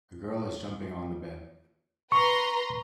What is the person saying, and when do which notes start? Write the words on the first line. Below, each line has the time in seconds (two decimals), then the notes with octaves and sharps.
A girl is jumping on the bed.
2.12 B4 A#5 C6 C#6